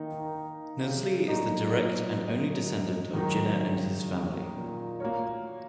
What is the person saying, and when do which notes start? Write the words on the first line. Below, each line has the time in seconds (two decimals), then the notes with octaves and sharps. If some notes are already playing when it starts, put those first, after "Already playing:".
Nusli is the direct and only descendent of Jinnah and his family.
Already playing: D#3 A#3 D#4
0.81 C#3
1.27 A#2 F#3 D#4 F#4 D#5
2.21 F#2
3.13 G#2 D#3 F#3 D#4
3.61 C#3
4.54 A#2
5.00 A#3 F#4 A#4 C#5